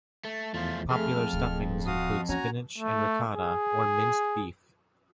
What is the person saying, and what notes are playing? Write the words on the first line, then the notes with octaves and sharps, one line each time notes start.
Popular stuffings include spinach and ricotta or minced beef.
A3
E2 F3 A3 F4
F2 A3 G#4 F6
D1
F#4 F5 D#6
A#3 C#4 F#4 G#5 A#5
A3
G#4